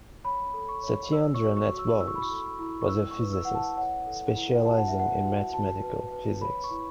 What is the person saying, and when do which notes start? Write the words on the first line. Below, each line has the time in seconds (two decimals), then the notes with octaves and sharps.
Satyendra Nath Bose was a physicist, specializing in mathematical physics.
0.24 C#5 B5
0.54 A4
0.69 C#6
0.83 C#5
1.12 C#5 E6
1.34 C#6
1.42 F#4
1.57 C#6
1.71 F#4
1.79 E6
2.01 E4 E6
2.08 C#6
2.15 B5
2.22 C#6
2.30 A4
2.59 E4
2.82 C#6
2.89 E4 E6
3.11 C#6
3.18 B4
3.33 E6
3.45 E4 F#5
3.55 A5
3.77 C#5 F#5
4.06 A4
4.36 E4
4.65 F#4 A5
4.77 F#5
4.88 E5
4.94 B4 F#5
5.24 F#4
5.53 F#4 A5
5.83 B4
6.12 B4
6.41 C#5 B5
6.64 C#6
6.71 E4